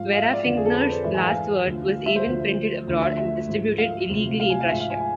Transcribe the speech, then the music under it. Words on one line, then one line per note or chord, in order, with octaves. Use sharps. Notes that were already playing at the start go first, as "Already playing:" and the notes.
Vera Figner's last word was even printed abroad and distributed illegally in Russia.
Already playing: G#2 F3 F5
F5
E5
D5
F2 D3 F3
G#4
A4
B4
C5
G#2 E3 E5
G#5
F5
D2 D3 F3
E5
C5
D2 D3 F3
D2 D3 F3
E5
E5
G#2 F3
F5
D2 C3 F3
F5
G#5
F5
G#2 F3 E5
F5
G#5
G#5